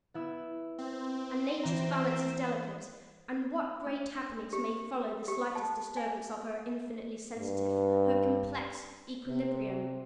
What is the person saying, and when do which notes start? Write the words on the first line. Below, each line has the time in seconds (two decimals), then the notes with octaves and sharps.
And Nature's balance is delicate; and what great happenings may follow the slightest disturbance of her infinitely sensitive, her complex, equilibrium?
0.14 B3 E4 E6
0.79 C4
1.63 E3 C5 A#5
3.87 D4
4.53 G4
5.28 G4
5.55 A5
5.97 G#5
7.39 G2
9.27 C3